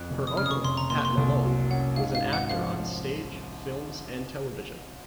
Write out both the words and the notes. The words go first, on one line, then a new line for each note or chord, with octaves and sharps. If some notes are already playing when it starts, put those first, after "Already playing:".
Her uncle, Pat Malone, was an actor on stage, films and television.
Already playing: F2 F#6
F1
D#6
C#3 F6
D#6
C#6
F1 C6
A#5
A#2 C6
C#6
C6
C2
F#3
C#4 F#5
G#2 F5
F5
G#1
F#5
F3 F5